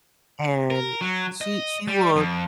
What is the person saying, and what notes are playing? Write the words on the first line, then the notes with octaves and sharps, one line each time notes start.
and she she will
A#4
F#3
D#5
G3
F2